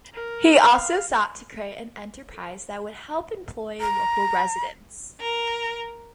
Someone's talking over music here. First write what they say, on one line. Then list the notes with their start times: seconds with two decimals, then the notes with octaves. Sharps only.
He also sought to create an enterprise that would help employ local residents.
0.14 A#4
0.61 F5
3.81 A#5
5.19 A#4